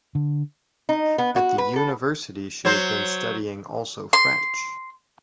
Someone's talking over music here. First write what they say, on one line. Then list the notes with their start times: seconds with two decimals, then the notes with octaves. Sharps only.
At the university she has been studying also French.
0.15 D3
0.89 D#4
1.18 B3
1.36 F#4
1.58 B4
1.76 A4
2.65 F#3 C5
4.13 C6